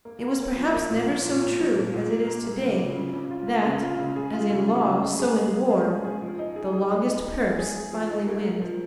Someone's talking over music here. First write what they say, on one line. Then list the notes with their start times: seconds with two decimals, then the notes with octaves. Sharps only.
It was perhaps never so true as it is today that, as in law so in war, the longest purse finally wins.
0.05 A#3
0.22 A#3
0.39 A#3
0.56 F3
0.74 A#3
0.91 A#2
1.08 F3
1.25 A#2
1.42 A#2
1.59 F3
1.76 A#2
1.94 A#2
2.10 A#3
2.27 A#3
2.45 A#3
2.62 C#3
2.79 C#3
2.96 C#3
3.13 C#3
3.31 F4
3.48 A#3
3.65 C#3
3.82 F4
3.99 C#3
4.16 G#4
4.33 F4
4.50 C#3
4.68 F4
4.85 C#3
5.02 G#3
5.19 G#4
5.36 G#3
5.54 G#4
5.70 G#3
5.88 G#4
6.05 G#4
6.22 F3
6.39 D#4
6.56 G#4
6.73 G#4
6.90 D#4
7.08 D#4
7.24 D#4
7.42 G#3
7.59 G#4
7.76 G#4
7.93 F3
8.10 D#4
8.27 A#3
8.45 A#3
8.62 F3